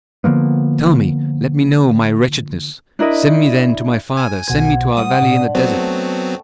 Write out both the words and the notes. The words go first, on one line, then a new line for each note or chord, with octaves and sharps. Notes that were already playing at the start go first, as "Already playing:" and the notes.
Tell me--let me know my wretchedness; send me then to my father, send me to our valley in the desert.
D3 F3 A#3 B3
D4 E4 A#4 D#5
G#5
B1 B2 C5 F#5 G#6
G3 F#5 D#6
A#2 D4
F#3 B3 C4 A4 C5 G5
A3